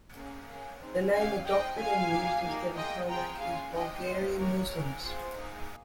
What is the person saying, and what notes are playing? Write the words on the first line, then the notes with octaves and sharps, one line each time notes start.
The name adopted and used instead of Pomak is "Bulgarian Muslims".
A#3 C#4 G#4
A#3 C#4 G#4
C4 D#4 G#4
C#4 G4 F5 G#5
C4 D#4 G#4 D#5 G5
C#4 F4 G#4 F5 G#5
A#3 D#4 G4
A#3 D#4 G4
A#3 F4 G#4 D#5 G5
C4 F4 G#4 G5 A#5
A#3 C#4 F4 G#4 F5 G#5
C4 D#4 G4 D#5 G5
A#3 C#4 F4 C5 D#5
A#3 D#4 G4 A#4 C#5
A#3 D#4 G#4 A#4
C4 F4 G#4 C5
A#3 D#4 G#4